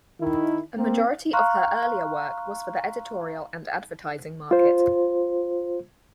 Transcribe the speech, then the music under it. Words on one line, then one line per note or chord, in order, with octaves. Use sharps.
A majority of her earlier work was for the editorial and advertising market.
D#3 E4
A#3 C4
F5 A#5 C6 C#6 F6 F#6
F4 C5